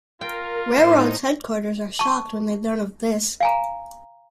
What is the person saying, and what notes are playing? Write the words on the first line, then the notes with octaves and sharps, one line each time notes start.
Railroad's headquarters are shocked when they learn of this.
F4 A#4 G5
A2 D#4 C5
A5 C#6
F5 G#5 A#5